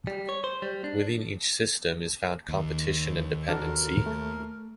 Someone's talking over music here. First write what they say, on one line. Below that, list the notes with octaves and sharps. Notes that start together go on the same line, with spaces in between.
Within each system is found competition and dependency.
G3
C#5
C5
G3
D4
D#2
D4 F#4 A4 A#4
A3